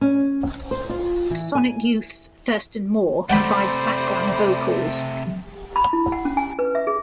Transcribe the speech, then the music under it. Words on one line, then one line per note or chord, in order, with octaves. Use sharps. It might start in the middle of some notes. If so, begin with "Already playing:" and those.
Sonic Youth's Thurston Moore provides background vocals.
C#4
C5
F4
E3
G#5
C3 G3 A3 C5 F#5 G5 B5
B5
E4
F#5
C#4
G#5
B4
E5
G#4